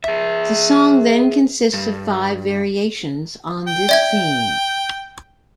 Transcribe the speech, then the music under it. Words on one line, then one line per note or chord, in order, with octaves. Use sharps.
The song then consists of five variations on this theme.
G#4 E5
G2
G5
D5 E5 G#6